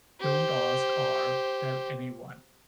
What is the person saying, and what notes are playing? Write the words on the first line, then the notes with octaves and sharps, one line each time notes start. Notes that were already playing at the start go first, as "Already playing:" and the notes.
Don't ask or tell any one.
G4 C5